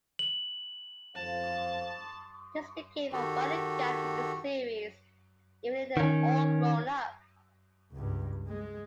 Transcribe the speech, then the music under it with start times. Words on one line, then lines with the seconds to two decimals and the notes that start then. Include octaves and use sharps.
This became of running gag in the series even in All grown up.
0.19 F#7
1.15 F2 C5 F5 A5
3.12 D#3 F#4 G4 A4
5.97 D#3 C#4
7.92 C#2 G2
8.47 G#3